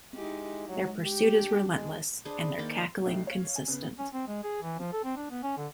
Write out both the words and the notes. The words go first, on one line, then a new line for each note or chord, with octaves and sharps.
Their pursuit is relentless and their cackling consistent.
G#3 D#4 E4 G4
F#3 G#3
G4
D4
G#3
D4 G#4 B4 C5
D#3 A#3 D5 G5
B1 A3 D4 D#4 G4 C7
C#5 F5
G#5
C#3 B3
C#4
C4
G#3
G#4
E3
F3
A4
C4
D4
B3
C#4
D3